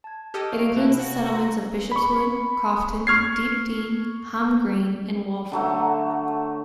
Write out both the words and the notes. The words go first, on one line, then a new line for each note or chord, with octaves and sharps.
It includes the settlements of Bishopswood, Coughton, Deep Dean, Hom Green and Walford.
A5 G#6
G4 A4 D#5 F6 G#6
E5 F5 C#6
C3 E4 F5 A5 F#6
F#4
F5 A#5 C6
B5 C#6
C#6 F6 G#6 C7
D3 F#3 A3